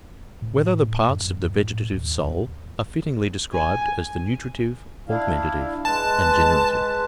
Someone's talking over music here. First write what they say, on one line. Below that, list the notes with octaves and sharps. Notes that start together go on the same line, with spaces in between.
Whether the Parts of the Vegetative Soul Are Fittingly Described As the Nutritive, Augmentative, and Generative?
A2
F#2
A2
D#2
G#5
D4 E4 F5
G#3 B4 A5